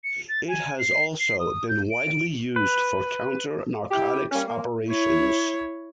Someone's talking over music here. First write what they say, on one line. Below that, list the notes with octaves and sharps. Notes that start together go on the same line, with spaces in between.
It has also been widely used for counter-narcotics operations.
C#7
A6
G#5
C7
C7
D#6
G6
D7
B4
E4 G4
G3 A#3 C#4
A#3
E4 C#5